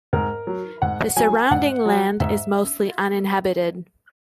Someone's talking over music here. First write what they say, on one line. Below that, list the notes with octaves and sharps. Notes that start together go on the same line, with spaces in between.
The surrounding land is mostly uninhabited.
G#2 A#4
F#3
G#2 F#5
F#3 G#5
G#2 F#5
F#3
G#2 E5